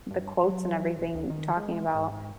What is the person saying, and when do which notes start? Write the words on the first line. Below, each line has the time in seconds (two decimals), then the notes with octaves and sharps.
the quotes and everything talking about,
0.11 G2
0.43 F#3
0.99 E1
1.14 D2
1.30 D#3
1.57 G#3
1.95 G#2